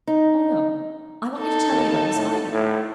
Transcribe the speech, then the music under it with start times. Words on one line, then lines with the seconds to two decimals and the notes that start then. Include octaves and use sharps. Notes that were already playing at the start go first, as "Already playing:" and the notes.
"Oh, no. I want you to tell me about Miss Viner."
0.07 D#4
1.38 D#4 A4
1.72 D#2
2.13 A2
2.51 A2